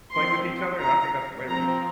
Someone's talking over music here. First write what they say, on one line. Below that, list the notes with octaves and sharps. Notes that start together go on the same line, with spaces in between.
play with each other, and I think that's hilarious.
F3 C4 C6
A#5
F3 C4 A#5